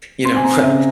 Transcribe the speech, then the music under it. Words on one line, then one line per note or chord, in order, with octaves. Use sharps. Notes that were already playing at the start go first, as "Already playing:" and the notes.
you know what,
C4 C6
G#5
C4 A#5
C#3 E5